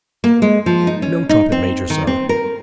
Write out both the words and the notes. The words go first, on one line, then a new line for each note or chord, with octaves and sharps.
'No, trumpet-major, sir.
A#3
G#3
F3
D#4
C#4
D#4
C4
D#3
C4
A#4